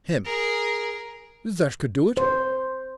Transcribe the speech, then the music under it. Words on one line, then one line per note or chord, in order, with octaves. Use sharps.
HIM: That could do it.
G#4 A#4
C5